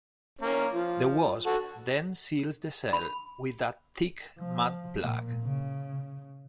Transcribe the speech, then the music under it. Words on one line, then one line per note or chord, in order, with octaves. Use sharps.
The wasp then seals the cell with a thick mud plug.
A#3 C#4
F3
F#4 A4
B5
F3
A#2
C#3